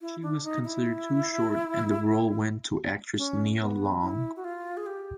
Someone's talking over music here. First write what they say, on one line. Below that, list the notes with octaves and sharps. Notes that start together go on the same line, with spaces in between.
She was considered too short and the role went to actress Nia Long.
E4
D4
D#4
E4
C#4
B3
E4
F#4
F4
G#4
G4